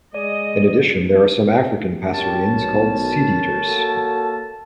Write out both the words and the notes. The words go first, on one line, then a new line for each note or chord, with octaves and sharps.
In addition, there are some African passerines called seedeaters.
G#3 D5 D#5 D#7
G4 A#4 C#5 A5
B1
A#3 F#4 A4